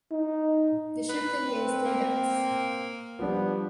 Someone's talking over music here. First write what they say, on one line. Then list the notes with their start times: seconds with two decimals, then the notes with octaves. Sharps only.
The ship contains three decks.
0.11 D#4
1.09 B4
1.47 C4
1.85 A#3
3.19 F3 G3 B3 D4